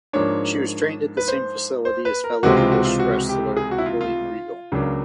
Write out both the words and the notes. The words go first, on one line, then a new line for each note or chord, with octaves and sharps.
She was trained at the same facility as fellow English wrestler William Regal.
G#2 F3 A#3 D4 C#5
B4
C5
C5
B4
A#4
C#2 C3 E3 G#3 C4 F#4
F4
F4
F#4
F4
F#4
G4
G#4
F#4
E4
F4
F4
C#2 C#3 F#3 A#3 D4